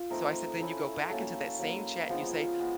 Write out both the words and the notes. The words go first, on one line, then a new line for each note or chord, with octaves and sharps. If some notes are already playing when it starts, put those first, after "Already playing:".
So I said, "Then you go back into that same chat and you say,
Already playing: F4
A3 C4 D#4 A#4
A3 C#4 E4
F#3 A#3 C#4 A4
F#3 A#3 C#4
F3 G#3 B3 A#4
G#3 B3